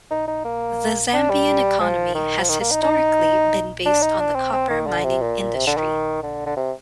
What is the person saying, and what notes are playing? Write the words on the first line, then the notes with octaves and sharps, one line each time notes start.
The Zambian economy has historically been based on the copper-mining industry.
D#4
D#4
A#3
D4
G3
F3
D#3
F3
D#3
A#3
D#4
D#4
D4
D#4
D4
C4
C4
D#3
D3
C3
A#2
C3
D3
D#3
D3
D3
C3